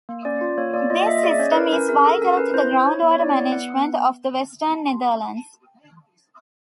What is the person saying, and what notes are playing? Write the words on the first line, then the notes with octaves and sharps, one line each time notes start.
This system is vital to the groundwater management of the Western Netherlands.
A#3
C#4 D5
F4
A#3 C#5
A#3 D5
F4 D#5
D#5
A#3 E5
D#5
G#4 D5
C#4 C#5
B4
E4 A#4
C#4 A#4
G#4 A#4
G#4 A4
C#4 A#4
C#4 B4
E4 C5
E4
E4 C#5
B3
C#5
E4 D5
B3
B3 F#5
B3